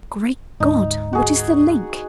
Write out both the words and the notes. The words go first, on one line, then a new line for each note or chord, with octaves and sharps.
Great God! what is the link?
D2 G#2 D#4
F#4 G#4